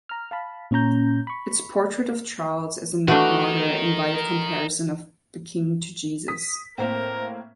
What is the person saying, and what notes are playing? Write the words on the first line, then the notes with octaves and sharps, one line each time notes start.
Its portrait of Charles as a martyr invited comparison of the King to Jesus.
A#5 F6
F5 A5 B5
A#2 C#4 C#5 A#5 G6
B5 C#6
E3 A3 D4 F#4 A#4 D#5
D#6 B6
A2 A#3 C4 A#4 C5